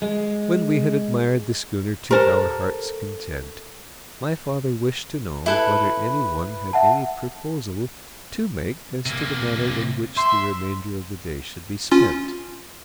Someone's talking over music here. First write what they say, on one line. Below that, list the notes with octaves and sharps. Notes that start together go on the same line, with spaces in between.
When we had admired the schooner to our hearts' content, my father wished to know whether any one had any proposal to make as to the manner in which the remainder of the day should be spent.
G#3
G4 A4 A#4 C5 A#5
E4 A4 B4
E5 F#5 A5
C3 A#3
E5 C6
C#4 F4